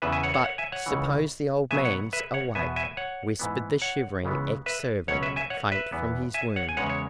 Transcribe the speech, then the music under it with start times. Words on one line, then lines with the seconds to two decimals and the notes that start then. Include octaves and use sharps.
"But, suppose the old man's awake?" whispered the shivering ex-servant, faint from his wound.
0.02 E2 C#3 E3 B3 B4 E5
0.12 E5 G#5
0.23 C#5 F#5
0.34 C#5 F#5
0.44 C#5 F#5
0.58 E5 G#5
0.72 C#5 F#5
0.86 C#2 C#3 E3
1.71 B2 F#3 B3 E5 G#5
1.85 C#5 F#5
2.13 B4 E5
2.34 C#5 F#5
2.55 E2 B2 B3 E5 G#5
2.76 E5 G#5
2.97 C#5 F#5
3.39 G#2 E3 B3
3.82 C#5 F#5
4.23 C#2 C#3 E3 G#3 B3
4.66 B4 E5
5.08 C#2 B2 F#3 C#4 C#5 F#5
5.22 B4 E5
5.36 E5 G#5
5.50 C#5 F#5
5.72 B4 E5
5.92 E2 E3 B3
6.34 E5 G#5
6.56 C#5 F#5
6.69 G#5
6.77 E2 C#3 G#3 B3 C#5 F#5
6.89 C#5